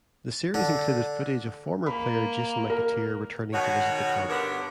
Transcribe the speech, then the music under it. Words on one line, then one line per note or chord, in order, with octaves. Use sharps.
The series included footage of former player Jason McAteer returning to visit the club.
D3
A#3 B5
A#4
B2 D#3 F#4 C#5
G2 D3 B3 D4 A#4 C#5